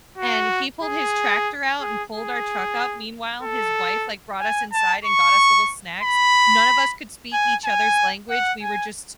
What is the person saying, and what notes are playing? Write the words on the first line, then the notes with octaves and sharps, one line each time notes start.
and he pulled his tractor out and pulled our truck up. Meanwhile, his wife, like, brought us inside and got us little snacks. None of us could speak each other's language, we were just
F#4
G#4
G#4
G#4
A4
G#5
A5
C#6
B5
G#5
G#5
F#5
G#5